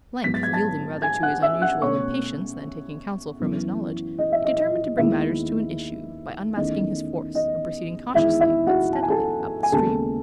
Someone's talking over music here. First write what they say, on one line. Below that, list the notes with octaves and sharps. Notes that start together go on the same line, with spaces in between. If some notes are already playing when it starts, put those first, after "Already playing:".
At length, yielding rather to his unusual impatience than taking counsel from his knowledge, he determined to bring matters to an issue, by unmasking his force, and proceeding cautiously, but steadily, up the stream.
G#2 F#3 B3 B6
A6
G#6
A5 A6
G#5 G#6
F#5 F#6
E5 E6
F#5 F#6
B2 A3 C#4 C#5 C#6
F#2 E3 B3
D#5
E5
D#5
D#5
D#2 D#3 G#3 B3 E4 E5
E2 D#3 A3 C#4 D#5
D#5
E2 D#3 G#3 E4 E5
E4 E5
F#4 F#5
A5
G#5
A4 A5
G#5
D#2 C#3 G#3 B3 A4 A5